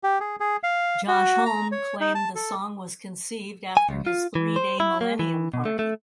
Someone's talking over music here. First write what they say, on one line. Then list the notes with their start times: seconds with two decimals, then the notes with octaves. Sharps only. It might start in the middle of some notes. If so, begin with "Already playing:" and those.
Josh Homme claimed the song was conceived after his three-day Millennium party.
0.03 G4
0.20 G#4
0.40 G#4
0.63 F5
1.08 F#4
1.46 A#5
1.72 C#5
2.01 D#4
2.15 A5
2.35 A4
3.77 G#5
3.89 C#2
4.07 F4
4.35 E3
4.56 C5
4.80 E4
5.01 A#3
5.19 E3
5.54 B2
5.65 A3
5.79 A3